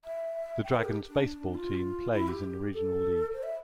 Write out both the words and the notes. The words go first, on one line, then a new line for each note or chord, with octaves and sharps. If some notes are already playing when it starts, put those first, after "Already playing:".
The Dragons baseball team plays in the Regional League.
E5
G5
A#4
G4
D4
D4
F4
E4
G4
A4
C5
E5